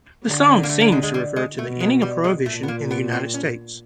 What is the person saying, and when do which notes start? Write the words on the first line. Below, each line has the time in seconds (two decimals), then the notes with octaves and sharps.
The song seems to refer to the ending of Prohibition in the United States.
0.26 D3
0.63 A#3
0.69 A3
0.81 A#3
0.92 G#3
1.03 G#3
1.14 G3
1.36 G#3
1.58 B2 A3
1.80 G#3
2.02 G3
2.24 G#3
2.46 A#2 A3
2.63 B3
2.68 A#3
2.91 B3
3.13 C4
3.34 C#4